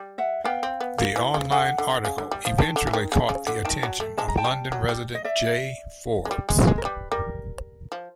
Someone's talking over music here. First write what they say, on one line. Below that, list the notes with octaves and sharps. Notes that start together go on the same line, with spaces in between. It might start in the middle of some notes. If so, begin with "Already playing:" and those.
The online article eventually caught the attention of London resident Jay Forbes.
Already playing: G3
E5 F#5
B3 F5 G5
C4
B3
A#3
E3
C#3
D3 F#5 G#5
D3
C#3
D3
G3
F3
D#3 G5 A5
D3
E3
D#3
C#3
C#3
D3
D#3 G5 A5
F#3
A3
G#3 A5
A#5
G5 A5
G3
F#3
G3
D#5
D5 E5
G#3
G3
G#3
G#3
A#4
G3 B4
G3 A#4
F3